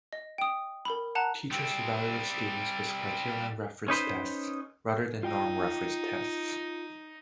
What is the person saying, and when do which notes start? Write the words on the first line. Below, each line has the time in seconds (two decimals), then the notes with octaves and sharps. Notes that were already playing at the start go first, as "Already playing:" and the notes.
Teachers evaluate students with criterion-referenced tests rather than norm-referenced tests.
0.13 D#5
0.38 G5 D#6
0.85 A#4 B5
1.15 F#5 A5 A#5 F#6
1.51 G3 C4
3.88 C#4 D#4 B4 C5
5.23 D#4 F4 G5